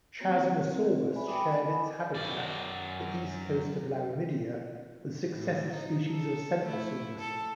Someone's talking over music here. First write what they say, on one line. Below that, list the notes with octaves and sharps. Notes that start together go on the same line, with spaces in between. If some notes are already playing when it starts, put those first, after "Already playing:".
"Chasmosaurus" shared its habitat, the east coast of Laramidia, with successive species of "Centrosaurus".
A#3 C4 F#4 G4 C#5
C4 A#4
B4 D5 E5 G#5 B5
G5 B5 D6 D#6
D#5 G#5 B5
F#2 D5
A2
D#4
A4
A3 E4
A4